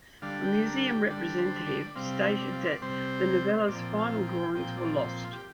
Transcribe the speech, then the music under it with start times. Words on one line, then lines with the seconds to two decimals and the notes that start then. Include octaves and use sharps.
A museum representative stated that the novella's final drawings were lost.
0.22 D3 G3 D4 F5
0.44 G5
0.66 A#4
0.87 G4
1.08 D3 G3 D4
1.38 C5
1.66 D5
1.95 C3 G3 C4 F5
2.39 D5
2.53 F5
2.66 D5
2.82 C3 G3 C4 C5
3.57 C5
3.68 A#2 F3 C4 D5
3.98 F5
4.26 G5
4.55 A#2 F3 C4 G5
4.77 D5
4.99 C5
5.24 F4
5.33 G4